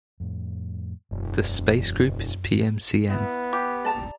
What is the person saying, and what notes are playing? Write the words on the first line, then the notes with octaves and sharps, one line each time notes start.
The space group is Pmcn.
F2 A2
E1 F#2
B3 E4
G4
D5 A5 A#5